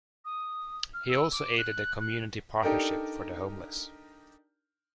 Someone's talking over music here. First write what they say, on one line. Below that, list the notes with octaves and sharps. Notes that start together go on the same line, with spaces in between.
He also aided the Community Partnership for the Homeless.
D#6
F6
E6
D6
F#6
F#6
D4 D#4 G4 A4 A#4